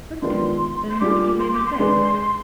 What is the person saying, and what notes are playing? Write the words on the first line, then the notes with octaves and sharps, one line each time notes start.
"That's good; then we may be saved."
D#3 G#3 B3 D4 F4 C6
C6
G3 D4 F4 G#4 D6
C6
D6
C6
G#3 D4 G#4 B4